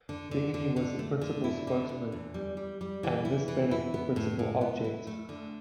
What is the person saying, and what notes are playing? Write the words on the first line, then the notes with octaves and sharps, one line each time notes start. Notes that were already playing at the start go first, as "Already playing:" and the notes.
Bingley was the principal spokesman, and Miss Bennet the principal object.
D3
D3
D3
D3
A3
D3
E4
D3
D3
E2
G3
G3
G3
E3
E4
E3
E4
B3
A2
A2
B3
E4
A3
D3